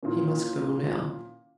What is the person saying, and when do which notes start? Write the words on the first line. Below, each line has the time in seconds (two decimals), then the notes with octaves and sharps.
He must go now.
0.03 A#2 D#3 E3 C#4